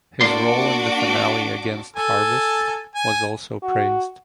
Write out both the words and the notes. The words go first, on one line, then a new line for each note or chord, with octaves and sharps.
His role in the finale against Harvest was also praised.
A#3 D4 F#4 D5 C6 D6
A4 G#5
G#5
F#4